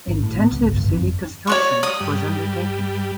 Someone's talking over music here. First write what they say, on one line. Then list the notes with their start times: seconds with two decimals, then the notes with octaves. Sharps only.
Intensive city construction was undertaken.
0.08 G#1
0.23 A2
0.39 B3
0.52 C#2
0.65 G#1
0.76 G1
0.90 F2
1.47 C#5 D5 C#6
1.83 D#6
2.00 G2 G3